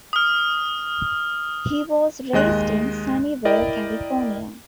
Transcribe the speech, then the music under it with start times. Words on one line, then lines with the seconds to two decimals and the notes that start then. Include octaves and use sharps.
He was raised in Sunnyvale, California.
0.13 D#6 F6
2.33 D#2 G#3 D#5 F#6
3.45 E4 A#4 D5 D#5 G5